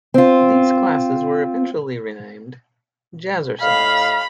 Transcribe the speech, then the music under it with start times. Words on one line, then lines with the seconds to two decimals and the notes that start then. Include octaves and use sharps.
These classes were eventually renamed Jazzercise.
0.14 C4 F4
3.61 A2 D#5 F5 B5